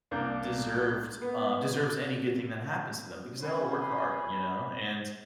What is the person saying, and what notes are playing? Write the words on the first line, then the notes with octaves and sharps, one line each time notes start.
deserved, uh deserves any good thing that happens to them, because they all work hard, you know, and
C2 A#3 D4 G6
B3
C#4 C5 B5